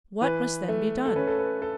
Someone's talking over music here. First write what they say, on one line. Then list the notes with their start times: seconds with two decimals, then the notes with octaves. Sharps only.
"What must then be done?"
0.21 E3 B4
0.68 A3
1.06 A4
1.16 C#4 B4
1.27 A4
1.39 B4
1.62 A4